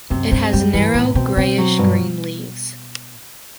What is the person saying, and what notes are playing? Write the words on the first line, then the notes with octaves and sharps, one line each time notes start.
It has narrow, greyish green leaves.
F#2 C3
G2 C4
F#2 G3
G2 E3
A2 C3
B2 C4
B2 C4
F#3
G2